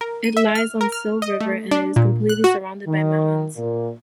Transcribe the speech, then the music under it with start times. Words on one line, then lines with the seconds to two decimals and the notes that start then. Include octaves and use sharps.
It lies on Sil River and it is completely surrounded by mountains.
0.01 A#4
0.24 D#7
0.37 E5
0.55 F6
0.81 A#4
0.92 F6
1.22 D#5
1.41 A3
1.71 D4
1.96 A#2
2.29 F#6
2.44 F#4
2.87 D#3
3.56 A#2